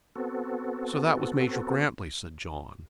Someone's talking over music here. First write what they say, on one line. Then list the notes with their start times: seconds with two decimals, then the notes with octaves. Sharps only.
"So that was Major Grantly?" said John.
0.16 B3 C4 F#4 A4